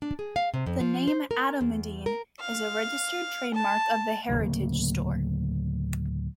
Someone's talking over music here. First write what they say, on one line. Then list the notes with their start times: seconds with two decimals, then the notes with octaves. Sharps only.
The name Atomidine is a registered trademark of The Heritage Store.
0.02 D4
0.19 G#4
0.36 F5
0.54 C3
0.66 F2
0.80 F3
1.08 C5
1.31 A#4
1.61 E2
2.06 A#4
2.40 F5
3.53 A5
4.29 D1 G1 C#3 A#3